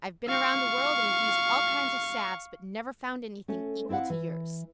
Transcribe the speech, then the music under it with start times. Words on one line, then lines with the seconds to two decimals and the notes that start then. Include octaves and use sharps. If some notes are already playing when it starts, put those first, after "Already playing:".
I have been around the world and have used all kinds of salves, but never found anything equal to yours.
0.28 F5 C#6
3.48 A3 C#4
3.89 C4 E4 D5 F5 F#5
4.10 E3